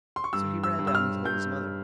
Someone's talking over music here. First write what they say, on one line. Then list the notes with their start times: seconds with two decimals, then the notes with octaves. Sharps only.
So he ran down and told his mother.
0.16 C6
0.24 C#6
0.33 G2 E6
0.64 E6
0.79 G2
0.87 E6
0.95 F6
1.24 G2 G6